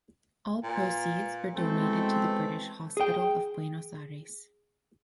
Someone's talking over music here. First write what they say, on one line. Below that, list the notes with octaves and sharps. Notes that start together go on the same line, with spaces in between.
All proceeds were donated to the British Hospital of Buenos Aires.
A#2 B4
B2 E3 G#3 A3 C4
G#4 G5